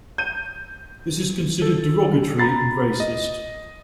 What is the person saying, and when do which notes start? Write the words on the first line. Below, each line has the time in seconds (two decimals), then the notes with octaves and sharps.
This is considered derogatory and racist.
0.18 G6 D#7
1.62 A4
2.39 A#5 B5 A6 C7
3.00 D#5